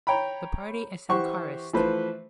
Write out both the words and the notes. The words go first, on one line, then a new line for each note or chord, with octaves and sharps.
The party is Sankarist.
C#5 G5 A#5 B5
E3 G4 C5 F#5 C#6
E3 F3 A3 B4 C5